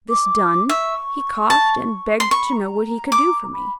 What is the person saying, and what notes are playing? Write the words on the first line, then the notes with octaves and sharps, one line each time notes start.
This done, he coughed, and begged to know what he could do for me.
D6
E5 C#6
A5
C6
B5 C#6
A#5
D6
B5